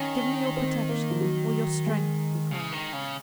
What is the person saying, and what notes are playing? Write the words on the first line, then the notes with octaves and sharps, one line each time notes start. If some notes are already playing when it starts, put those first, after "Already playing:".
"Give me your protection--or your strength!" he cried.
Already playing: D#3 C#4
C4
A#3
F3
F#3
G#3
C#3
D#3
C#3